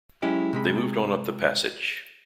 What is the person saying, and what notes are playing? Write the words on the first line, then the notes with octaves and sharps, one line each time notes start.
They moved on up the passage.
F#3 G#3 C#4 E4 G4
C3 G#3 B5